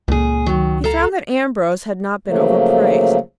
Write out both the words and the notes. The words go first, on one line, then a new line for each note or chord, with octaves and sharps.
He found that Ambrose had not been overpraised.
C#2 A#2 G#4
D#3 F#3
A4 F5 A#5
C#3 F3 F#3 A3 A#3